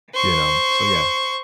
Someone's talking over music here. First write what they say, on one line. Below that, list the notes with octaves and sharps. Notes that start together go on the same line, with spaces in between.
you know? So yeah.
C5 C#6